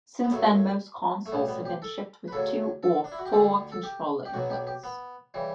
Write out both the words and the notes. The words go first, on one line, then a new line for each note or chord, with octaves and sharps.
Since then, most consoles have been shipped with two or four controller inputs.
B3
F#2 C#3 F#3 A3
A3
B1 A2 G3 B3
B3
G4
A4
B4
D2 C#3 F#3 A4
A4
D4
E4
F#4
G4
D2 D3 G3 A4
A4
G4
G4
B1 B2 F#3 F#4
G4
G4
B3
C#3 E3 G3